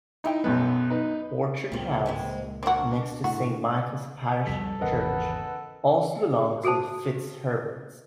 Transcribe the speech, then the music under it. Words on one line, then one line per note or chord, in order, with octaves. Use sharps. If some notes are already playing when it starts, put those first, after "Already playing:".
Orchard House, next to Saint Michael's parish church, also belonged to the FitzHerberts.
D#4 E4 G5
B1 F#2 B3
D#4 B4
C#2 A#2 C4 F4
G#3 B3 C4
A#3 C4 D4 F#4
A2 F#4
C2 F2 G3 A4 B6
G#1 E2 C#3 A#4 B4 D#5 F#5
F#4 G#4 A4 C5 A5